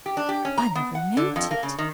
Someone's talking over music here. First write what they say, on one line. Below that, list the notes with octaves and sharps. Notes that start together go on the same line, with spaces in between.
I never meant it!
G4
D4
G4
C#4
A#5
B3
F#5
D3
F2
A#3
C#3
D#3